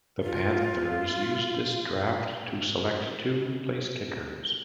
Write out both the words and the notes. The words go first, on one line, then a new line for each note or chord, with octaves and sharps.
The Panthers used this draft to select two placekickers.
F4